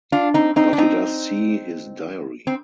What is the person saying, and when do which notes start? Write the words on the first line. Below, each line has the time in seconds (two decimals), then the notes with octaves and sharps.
But he does see his diary.
0.12 D4 F4
0.34 C4 D#4
0.56 C4 D#4
0.73 D4
0.78 C4 D#4
2.47 C4